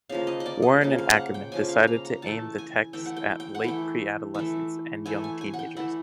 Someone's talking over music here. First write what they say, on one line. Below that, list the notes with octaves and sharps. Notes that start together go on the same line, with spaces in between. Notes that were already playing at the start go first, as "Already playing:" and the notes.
Warren and Ackerman decided to aim the text at late pre-adolescents and young teenagers.
C#3 F3 A#3 F5
D#5
D#5
D5
D#5
C#3 F3 A#3
F5
F#5
G5
C#3 F3 A#3 G#5
F5
A#5
A#5
E3 A3 A5
G#5
E3 A3 G5
F#5
G5
G5
F#5
E3 A3 G5
E3 A3
E3 A3 G#5
G#5
G#5
F#5
G5
E3 A3 F#5